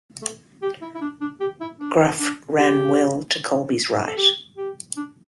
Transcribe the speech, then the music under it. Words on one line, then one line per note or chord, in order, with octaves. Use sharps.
Graf ran well to Kolbe's right.
A3
G4
E4
E4
D4
D4
G4
E4
D4
D4
G4
A4
G4
G4
D4